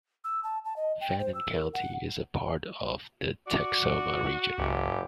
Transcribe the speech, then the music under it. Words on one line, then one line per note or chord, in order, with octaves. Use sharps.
Fannin County is a part of the Texoma region.
E6
A5
A5
D#5
G5
C5
E6
A#4
F#5
F#4 D5
F#1 C#2 G#2 G4